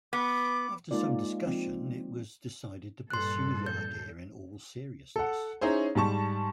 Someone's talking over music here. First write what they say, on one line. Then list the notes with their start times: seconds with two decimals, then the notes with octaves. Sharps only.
After some discussion it was decided to pursue the idea in all seriousness.
0.13 B3 D6
0.91 G#3 A#3 D#4 F4 D5
1.47 F3 C4
3.10 G2 A#2 A4 C6 F#6
3.66 G6
5.16 A4 F#5
5.61 C#4 D#4 E4 G#4 C5
5.95 G#2 G3 A5 C#6